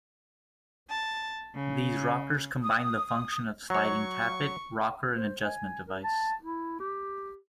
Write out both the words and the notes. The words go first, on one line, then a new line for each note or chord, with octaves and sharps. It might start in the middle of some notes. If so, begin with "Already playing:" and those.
These rockers combined the function of sliding tappet, rocker and adjustment device.
A5
C#3
D#6
F#3 C#5 C#6
C5
G#5
A#4
A5
E4
G4